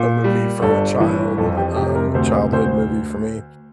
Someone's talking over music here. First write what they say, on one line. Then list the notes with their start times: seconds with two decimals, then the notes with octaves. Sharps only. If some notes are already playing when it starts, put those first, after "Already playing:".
a movie from a child, um, childhood movie for me,
Already playing: A#2
0.24 G3
0.62 G1 A4
1.00 E3
1.38 F2 A4
1.57 G4
1.76 C3 G4
1.95 A#4
2.14 D2 C5
2.52 D2 C5